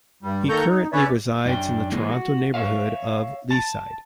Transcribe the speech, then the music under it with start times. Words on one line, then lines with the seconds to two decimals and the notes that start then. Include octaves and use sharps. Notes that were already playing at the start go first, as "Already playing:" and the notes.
He currently resides in the Toronto neighbourhood of Leaside.
0.23 G2 G3
0.49 D#3 A#3 A4 A#5 C#6 G6
0.69 D#4
0.92 C#4 B4 C#5 D5 E5
1.45 F#2 D4 G5
1.92 E3 G#3 A#3 B3
2.11 F#4
2.54 C#5 E5 F5
3.51 A5